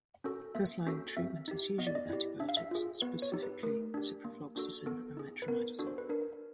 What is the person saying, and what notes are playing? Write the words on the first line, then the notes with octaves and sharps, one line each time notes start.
First line treatment is usually with antibiotics, specifically with ciprofloxacin and metronidazole.
C#4 F#4 A4
A#3 E5
C#4 F#4 A4
C4 E5
D#4 G4
B3 D#5
D5
D#5
E4 G4
D4 E5
F5
E5
F4 G#4
B3 B4
C#5
D#4 G4
B4
A3 A#4
D4 G4
A#3
D4 F#4 A4
B3 A4
D#4 G#4
B4
B3 A#4
D4 F#4 A4
C5
B4
D4 A#4